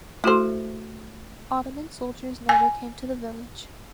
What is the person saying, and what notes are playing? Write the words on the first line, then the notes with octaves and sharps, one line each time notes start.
Ottoman soldiers never came to the village.
A3 E4 F#4 A4 C5
G#5